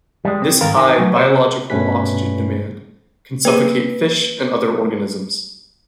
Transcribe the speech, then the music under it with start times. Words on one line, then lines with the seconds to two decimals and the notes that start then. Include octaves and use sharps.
This high "biological oxygen demand" can suffocate fish and other organisms.
0.25 G3 G#3
0.42 G3 C4
0.61 G#2 D#3 A4 A#4 F5
0.76 D#4 A#4 E5 G#5
0.98 F#3 A3
1.15 F#4 G#4 A4 C5 C#5 E5
1.70 G2 B2 A3 C#4 B4 B6
3.45 A#3 G#4 B4